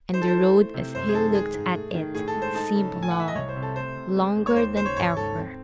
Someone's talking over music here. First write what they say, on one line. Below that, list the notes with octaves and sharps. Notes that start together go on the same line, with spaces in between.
And the road, as he looked at it, seemed long--longer than ever.
D#4 C5
A4
C5
E3
A3
C3
F#2 C5
G#4
D#3 A4
G#3 G#4
G#2
A3
D#3
A2 G#4
A4
G#3
C5
D#4 A4
C#3
A2
G#5
F#5
E3
E5
D#5
C2 C#5
C5
C3
A4
A3 C5
C3
G#3
D#2
C#5
D#2 C5
C#3 C5
C#5
G#1 C#5
G#2 A4
C4